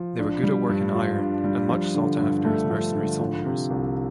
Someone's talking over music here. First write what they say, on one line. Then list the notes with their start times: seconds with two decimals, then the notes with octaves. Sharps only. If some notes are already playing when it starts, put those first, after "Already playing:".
They were good at working iron and much sought after as mercenary soldiers.
Already playing: F3
0.19 D4
0.43 G3
0.69 G2
0.94 F4
1.19 D4
1.44 G3
1.69 F3
1.95 D3
2.19 G2
2.45 A3
2.70 F3
2.95 D3
3.20 F3
3.45 C3
3.70 C2